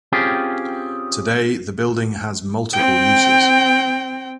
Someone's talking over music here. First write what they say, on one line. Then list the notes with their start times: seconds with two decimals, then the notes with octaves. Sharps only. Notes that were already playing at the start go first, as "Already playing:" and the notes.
Today the building has multiple uses.
0.12 C4 C#4 F4 G4 G#4
2.73 C4 G5